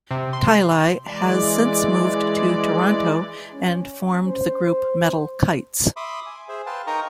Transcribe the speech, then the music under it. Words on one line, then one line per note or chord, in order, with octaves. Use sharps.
Tielli has since moved to Toronto and formed the group Metal Kites.
C3
C6
E3 G#3 D5
C#4
C5
E5 B5 C6 D6 D#6
G#5
G#4 C5 E5
B4 F5 G5 A5 C6
D#4 A#4 G5 A#5 C#6 D#6